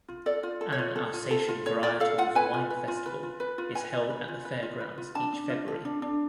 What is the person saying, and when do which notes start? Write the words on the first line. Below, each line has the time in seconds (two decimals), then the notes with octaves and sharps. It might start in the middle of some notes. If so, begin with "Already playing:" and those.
An Alsatian Varietals wine festival is held at the fairgrounds each February.
0.08 F4
0.26 A4 D5
0.43 F4
0.61 A4
0.72 C#5
0.79 F4
0.96 A4
1.13 F4
1.31 A4
1.48 F4
1.66 A4 C#5
1.83 F4 D5
2.00 A4 F5
2.18 F4 F#5
2.35 B4 G#5
2.54 F4
2.70 B4
2.88 F4
3.06 B4
3.23 F4
3.40 B4
3.58 F4
3.75 B4 G#5
3.93 F4
4.10 B4
4.28 F4
4.45 B4
4.63 F4
4.80 B4
4.98 F4
5.15 D4 A5
5.33 D4
5.50 F4
5.68 A4
5.85 D4
6.02 D4